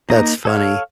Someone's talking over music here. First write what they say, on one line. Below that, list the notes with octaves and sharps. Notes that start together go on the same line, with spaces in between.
That's funny.
A#3 D#4 A#5
A4 C#5 F5